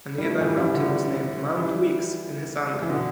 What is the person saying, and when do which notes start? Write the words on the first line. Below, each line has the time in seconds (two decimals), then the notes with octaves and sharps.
A nearby mountain was named Mount Weeks in his honor.
0.18 G3
0.24 F3 A3
0.41 E3 G3
0.57 E3 G3
0.74 D3 F3
1.57 E3 G3
2.82 E3
2.89 B2 D3